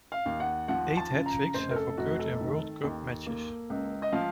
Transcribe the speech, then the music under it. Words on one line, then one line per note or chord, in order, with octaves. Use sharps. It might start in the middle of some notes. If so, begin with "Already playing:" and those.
Eight hat-tricks have occurred in World Cup matches.
F5
D#2
F#5
F3 F#5
A5
C#3
A#5
F1 C5
A#4
A4
F1 F#4
A4
D#3
D#2
A#3
C#2
D#5
F3 F5